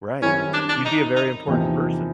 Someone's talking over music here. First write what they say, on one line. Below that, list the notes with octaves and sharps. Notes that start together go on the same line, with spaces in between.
Right, you'd be a very important person.
F#2 D#3 G3 C4 C#4 E4
D4
D4
D#4
D#4
E2 C3 F3 A#3 D#4